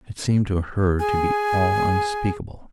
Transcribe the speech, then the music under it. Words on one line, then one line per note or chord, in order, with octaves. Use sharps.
It seemed to her to be all unspeakable.
G#4 G#5